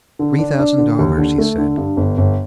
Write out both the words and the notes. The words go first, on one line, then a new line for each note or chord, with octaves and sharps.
"Three thousand dollars," he said.
D3
D4
D4
D3
D#2
D3
A3
D3
G2
G1
G1